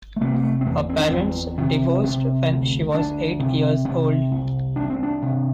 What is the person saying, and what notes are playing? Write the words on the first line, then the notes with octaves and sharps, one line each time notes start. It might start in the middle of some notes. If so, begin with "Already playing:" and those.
Her parents divorced when she was eight years old.
A3
C3 A#3
A#3
A3
C4
E2 A#3
C4
D4
E2 C4
C3
C3
D2
D2 D4
C3
C3
C2
C2 D4
C4
D4
C3